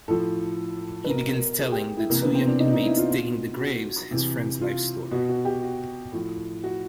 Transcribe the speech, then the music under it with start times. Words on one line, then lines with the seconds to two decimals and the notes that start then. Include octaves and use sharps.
He begins telling the two young inmates digging the graves his friends' life story.
0.08 A2 F3 A4
1.04 B4
1.09 B2 A#4
1.34 A#4
1.59 G#4
1.72 G4
1.97 E4
2.10 C3 E3 A#3
2.22 B3
2.35 C4
2.47 D4
2.60 D#4
2.73 D#4
2.85 E4
2.98 F4
3.10 B2
3.60 F#4
4.11 C3 E3
4.61 F4
5.11 B2 F#4
5.29 F#4
5.45 G4
5.62 F#4
6.12 A2 F3
6.64 F#4